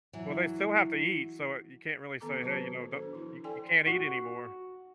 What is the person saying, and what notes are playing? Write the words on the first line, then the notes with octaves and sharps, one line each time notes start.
well, they still have to eat, so you can't really say, "Hey, you know, don't you you can't eat anymore."
E3 F#3
D#3 B3 A4 A#5 D6
F#3 F#4 B4 C5 A5
D4 A4 C5
F3 E4
A4 D5 G5 G#5 C6
F#4